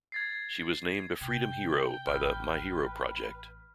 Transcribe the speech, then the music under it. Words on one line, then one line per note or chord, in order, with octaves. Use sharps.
She was named a Freedom hero by The My Hero Project.
G#6 A6 C7
C3 G5
A1 B4 F6